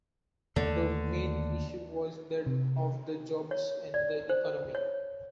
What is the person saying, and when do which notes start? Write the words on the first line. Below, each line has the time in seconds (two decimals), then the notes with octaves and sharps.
The main issue was that of the jobs and the economy.
0.56 D#2 D3 A3
2.47 C3
3.51 C#5
3.94 D5
4.29 C5
4.75 C#5